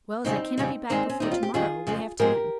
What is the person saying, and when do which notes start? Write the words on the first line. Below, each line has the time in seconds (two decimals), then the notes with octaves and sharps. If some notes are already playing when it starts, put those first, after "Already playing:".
"Well, as I cannot be back before to-morrow, we have time."
0.25 F2 C#3 G3 C4 D#4
0.58 F2 C#3 G3
0.89 G2 D#3 G#3 C4 D#4
1.10 C#4
1.20 D#2 D#3 G3 D#4
1.31 F4
1.43 G4
1.54 F2 D#3 G3 F4 G#4
1.87 F2 C#3 F3 G#3
2.19 G#2 F3 G#3 G4 A#4